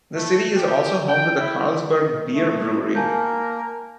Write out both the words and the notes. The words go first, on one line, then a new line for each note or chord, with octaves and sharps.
The city is also home to the Karlsberg beer brewery.
A3
G4
G5
E4
A3
A#3 A#4 G#5 A5 G6